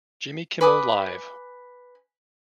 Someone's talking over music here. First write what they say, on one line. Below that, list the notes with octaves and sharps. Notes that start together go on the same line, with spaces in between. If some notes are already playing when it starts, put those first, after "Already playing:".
Jimmy Kimmel Live!
B4 G#5 D6 D#6